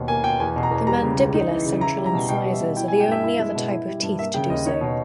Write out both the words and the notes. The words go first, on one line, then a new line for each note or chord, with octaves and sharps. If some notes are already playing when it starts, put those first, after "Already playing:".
The mandibular central incisors are the only other type of teeth to do so.
Already playing: D#2 B2
A#3 G#5
B2 G5
E2 G#5
B2
A#5
E2
G3 A#5
C#3
C#2
D#4
E3
C#3
E4 A#5
G3
A#5
B2
B2 G5
G3
E5
B2
E4 G5
G#5
G3
G5
G2 E5
E4
G#3
B2
E4
G3
G2
A#3 E5
C#3 G5
D#2 D#5
D#4 C#5
B2